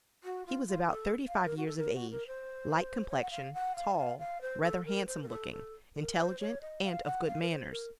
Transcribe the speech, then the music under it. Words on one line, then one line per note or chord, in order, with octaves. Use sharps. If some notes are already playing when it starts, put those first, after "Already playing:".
He was about thirty-five years of age, light complexion--tall--rather handsome-looking, intelligent, and of good manners.
F#4
F4
F4
A4
F5
A#4
F#4
A4
A#4
F#4
A#4
C5
C#5
F#5
F5
F#5
F5
D#5
F5
F5
C5
A4
A#4
C5
A#4
A4
A4
A#4
C5
C#5
D#5
F5
F#5
F5
A#4
C5
A#4